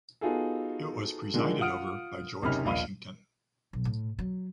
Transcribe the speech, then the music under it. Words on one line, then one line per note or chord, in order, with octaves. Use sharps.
It was presided over by George Washington.
B3 D#4 F4 F#4 G#4 A4
D3 D#3 F3 G#3
F4 F#5 D#6 F6 C#7 D7
F#1 C3 C#4 D#4 B5 F6
D#1 A#1 D#5 F5 B5 D#7
B1
A2
F#3